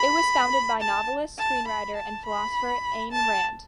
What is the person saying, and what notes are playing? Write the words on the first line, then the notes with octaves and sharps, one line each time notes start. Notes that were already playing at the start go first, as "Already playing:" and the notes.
It was founded by novelist, screenwriter, and philosopher Ayn Rand.
Already playing: B5
A5
A5
B5
A5
B5
A5